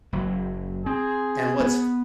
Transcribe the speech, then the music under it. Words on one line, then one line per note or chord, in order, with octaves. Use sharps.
And what's f
F#1 F#3
C4 G#4
B3